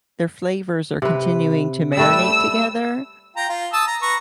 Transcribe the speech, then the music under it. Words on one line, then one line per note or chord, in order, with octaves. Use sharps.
their flavors are continuing to marinate together,
C3 B4
G3 A3 B4 E6
F4 G5 A#5
F4
A5 D#6 E6
A#5
B4 A#5 C#6